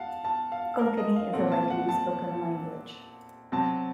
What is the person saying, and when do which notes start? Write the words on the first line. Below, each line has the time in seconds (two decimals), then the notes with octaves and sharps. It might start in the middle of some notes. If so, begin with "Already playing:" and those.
Konkani is a widely spoken language.
Already playing: F5 F#5 A5
0.25 A5
0.52 F5
0.79 A#4
0.98 D#5
1.16 F5
1.33 A#2 A3 C4 F#5
1.52 A5
1.70 F#5
1.89 A5
3.52 C3 F#3 C4 A5